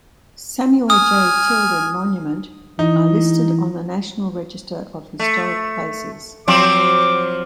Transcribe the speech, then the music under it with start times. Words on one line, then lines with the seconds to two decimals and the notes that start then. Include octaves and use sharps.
Samuel J. Tilden Monument are listed on the National Register of Historic Places.
0.90 G#5 D#6 F6
2.79 E3 D#4
5.20 A3
6.48 F3 F#3 C4 D6